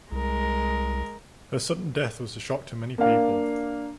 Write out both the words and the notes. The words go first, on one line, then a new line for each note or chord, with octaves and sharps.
Her sudden death was a shock to many people.
C2 G#3 A#4
A#3 D4 F5